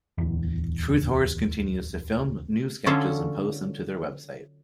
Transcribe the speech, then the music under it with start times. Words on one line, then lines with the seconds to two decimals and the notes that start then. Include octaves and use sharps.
Truthhorse continues to film new sketches and post them to their website.
0.18 D1 E2
2.86 D3 F#3 C#4 F4 A4 C#5